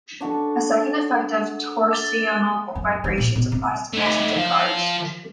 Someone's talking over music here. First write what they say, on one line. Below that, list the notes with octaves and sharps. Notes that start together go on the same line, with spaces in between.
A second effect of torsional vibrations applies to passenger cars.
D4 F#4 A4
D6 A6 G7
F#2
F3
A#2
B2
C3
A3 D#4
F3 F4